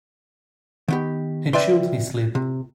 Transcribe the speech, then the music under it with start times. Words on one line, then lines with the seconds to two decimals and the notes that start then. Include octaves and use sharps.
He chewed his lip.
0.88 D#3 B3 G4
1.53 B4 D5 E5 G5 C6
2.35 C3